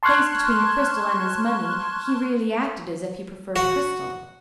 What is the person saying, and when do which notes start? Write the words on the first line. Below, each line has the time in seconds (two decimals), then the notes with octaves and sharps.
Placed between Cristel and his money, he really acted as if he preferred Cristel.
0.03 A5 C6 C#6 F6 F#6 G#6
3.56 F#4